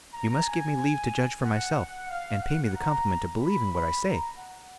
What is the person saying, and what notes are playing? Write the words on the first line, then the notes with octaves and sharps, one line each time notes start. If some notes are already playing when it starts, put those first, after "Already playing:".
You must give me leave to judge for myself, and pay me the compliment of believing what I say.
A#5
G#5
F#5
F#5
F5
F#5
A#5
B5
B5
A#5
F#5